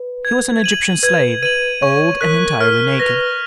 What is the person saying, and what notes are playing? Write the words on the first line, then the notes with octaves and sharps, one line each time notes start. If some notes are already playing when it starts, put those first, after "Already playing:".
He was an Egyptian slave, old and entirely naked.
Already playing: B4
G#6
D#7 F#7
B4 G#6
B4 D#7 F#7
C#5 C#6
A#4 F#6 B6
A#4 F6
B4 A#6 F7